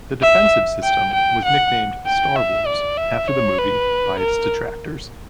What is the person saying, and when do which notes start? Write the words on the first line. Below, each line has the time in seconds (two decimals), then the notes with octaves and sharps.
The defensive system was nicknamed Star Wars, after the movie, by its detractors.
0.22 E5
0.83 G5
1.14 G5
1.45 F#5
2.06 G5
2.36 E5
2.67 D5
2.97 E5
3.28 C#5
3.59 B4
4.20 A#4